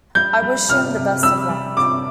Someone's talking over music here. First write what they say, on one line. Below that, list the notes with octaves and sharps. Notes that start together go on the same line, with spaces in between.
I wish him the best of luck.
G3 G6
G3
C3 F6
C3
G3 E6
G3
C3 D6